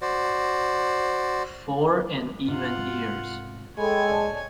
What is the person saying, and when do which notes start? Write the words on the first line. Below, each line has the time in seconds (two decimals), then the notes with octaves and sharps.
Four in even years.
0.01 F#4 C5 D5
2.48 G#2 C3 F4 F#5
3.78 G#3 A4 C#5 G5 G#5 B5
4.09 D1 A#1 D5 A5